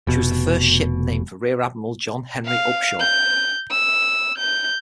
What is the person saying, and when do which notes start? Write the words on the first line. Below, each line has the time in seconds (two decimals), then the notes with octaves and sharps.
She was the first ship named for Rear Admiral John Henry Upshur.
0.07 F1 B2
2.46 F5
3.00 G6
3.71 E6
4.39 G6